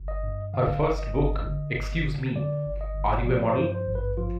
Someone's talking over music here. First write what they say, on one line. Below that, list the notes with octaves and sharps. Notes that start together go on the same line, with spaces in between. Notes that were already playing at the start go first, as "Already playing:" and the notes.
Her first book, Excuse Me, Are You A Model?
Already playing: G1
D#5
G2
D3 F5
G1
D#5
G1
D3
G1
D3
D3 D5
G1
D#5
G1
F3 D5
C5
G2
C5
G#1
B4
F3 F4